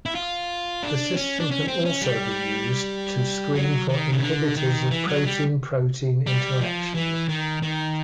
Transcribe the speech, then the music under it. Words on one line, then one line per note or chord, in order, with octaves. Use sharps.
The system can also be used to screen for inhibitors of protein-protein interactions.
E4
F4
D4
C#4
D4
C#4
C4
C#4
G3
F#3
D#3
C#3
D3
D#3
E3
F#3
G3
G3
F3
E3
D#3
D#3